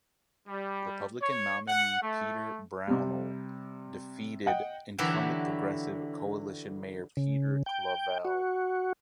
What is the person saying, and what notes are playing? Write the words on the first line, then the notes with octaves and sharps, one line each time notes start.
Republican nominee Peter Brownell defeated incumbent Progressive Coalition Mayor Peter Clavelle.
G3
C#5
F#5
A3
C3 G3
D#5 F#5 G5
D3 E3 F#3 E4 F#4 G4
C#3
G5
F#4